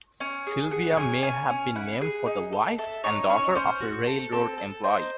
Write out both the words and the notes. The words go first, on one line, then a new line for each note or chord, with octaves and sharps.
Sylvia may have been named for the wife and daughter of a railroad employee.
C#4 G#5
G#4
G#4 F#5
F#5
C#4 G#5
C#4 G#5
C#4
E4 F#5
G#4
D#4
A4
A4 E5
D#4 C#5
C#4 C#5
C#4 C5
F#4
A4
C4 A4
A4
D#4 C5